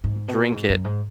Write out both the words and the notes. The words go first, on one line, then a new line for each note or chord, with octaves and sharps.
drink it,
G#2
B2
G#2
F#2
G#2